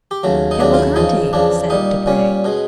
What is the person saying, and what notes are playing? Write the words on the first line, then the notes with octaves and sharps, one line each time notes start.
"Cavalcanti!" said Debray.
G4
D#2 C#3 F#3 A3
D#4
D#2 C#3 F#3 A3 D4
F4
E4
E2 C#3 F3 D#4
E2 C#3 F3 D4
A#2 G3 D#4
A#2 G3 C#4
B2 G#3